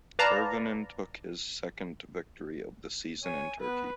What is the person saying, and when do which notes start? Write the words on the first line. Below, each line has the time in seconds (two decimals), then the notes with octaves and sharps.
Hirvonen took his second victory of the season in Turkey.
0.19 B4 D5 F5 A5 A#5
3.23 C#5 G#5
3.60 B3 B4